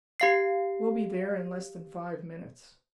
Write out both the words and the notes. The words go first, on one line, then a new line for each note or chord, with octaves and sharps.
"We'll be there in less than five minutes."
G4 F5 C7